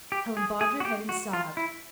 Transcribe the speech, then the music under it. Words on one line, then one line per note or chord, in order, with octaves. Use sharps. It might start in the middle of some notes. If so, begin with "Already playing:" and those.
Helen bobbed her head and sobbed.
G4
G#4
G#4
F#4
G4
F#4
F4
E4